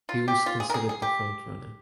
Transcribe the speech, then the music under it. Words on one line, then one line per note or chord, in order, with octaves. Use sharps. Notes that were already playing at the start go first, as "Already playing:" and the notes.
He was considered the frontrunner.
F4
G4
F4
G#4
A#4
G#4
G#4
G4